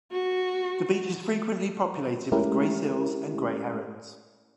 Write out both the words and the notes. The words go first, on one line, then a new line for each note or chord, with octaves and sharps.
The beach is frequently populated with grey seals and grey herons.
F#4
G#3 A3 C#4 E4 G4 A#4